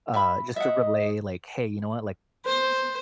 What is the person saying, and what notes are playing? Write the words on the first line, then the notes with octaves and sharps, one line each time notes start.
uh, just to relay, like, "Hey, you know what, like,
E5 B5
D#5 E5 F#5
C5